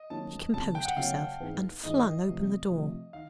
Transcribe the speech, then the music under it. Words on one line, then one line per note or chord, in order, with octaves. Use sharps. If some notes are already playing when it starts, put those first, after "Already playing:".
She composed herself and flung open the door.
Already playing: D#5
D#3 F#3 A#3 C#4 A5
C#3 F#3 A#3 C#4 A5
G5
F#5
C#3 F#3 A#3 C#4 F5
G#2 E3 G#3 B3 D#4
G#2 E3 G#3 B3 D#4 D#5
C3 F3 A3
C3 F3 A3
D#3 F5